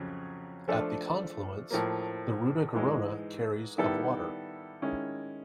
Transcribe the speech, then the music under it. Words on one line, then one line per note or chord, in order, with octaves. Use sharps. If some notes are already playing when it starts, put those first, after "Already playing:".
At the confluence, the Ruda-Garona carries of water.
Already playing: F2 C#3 F#3
F3 A3 D4 F4 A4
A2 F3 A#3
G#2 E3 G#3
D#3 G3 B3 E4 A4
D#3 G#3 C#4 E4